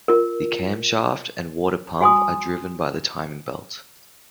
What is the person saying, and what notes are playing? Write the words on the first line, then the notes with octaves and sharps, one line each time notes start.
The camshaft and water pump are driven by the timing belt.
F4 A#4
F#4 G#5 C6 D#6